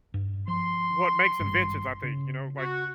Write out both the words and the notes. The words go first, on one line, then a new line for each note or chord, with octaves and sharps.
what makes inventions, I think, you know? Like
G2
F3 C6
G#1 G2
C#3
F#4